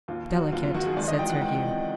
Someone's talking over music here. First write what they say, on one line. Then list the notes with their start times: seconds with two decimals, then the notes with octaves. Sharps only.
"Delicate!" said Sir Hugh.
0.08 D#2 F4
0.30 F#3 F#4
0.52 D#2 F4
0.64 F4
0.74 D#3 F#4
0.86 G#4
0.97 C#2 D5
1.08 D#5
1.19 E3 G5
1.30 F#5
1.41 C#2 G5
1.63 C3